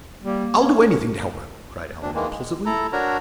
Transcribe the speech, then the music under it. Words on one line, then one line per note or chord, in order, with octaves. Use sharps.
"I'll do anything to help her!" cried Allan, impulsively.
G3 A#3
C#4
D2 D4
D#3 E3 G#3 A#3
G#3
E4 A4 A#5
D4 F#4 A#4 C#5 A#5